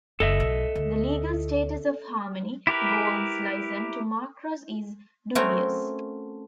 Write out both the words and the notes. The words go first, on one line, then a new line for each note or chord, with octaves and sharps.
The legal status of Harmony Gold's license to Macross is dubious.
F#1 A4 D#5 E5
B1
D2
E4 G4 A#4 B4
A3 C4 C#4 F#4 A#4